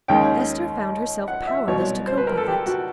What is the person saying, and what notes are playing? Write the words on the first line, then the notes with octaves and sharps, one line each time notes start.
Esther found herself powerless to cope with it.
D#2 D#3 G#3 C#4 G5
F#5
E5
C2 B2 F#3 C#5
C5
B4
A#4
A4
G4
F#4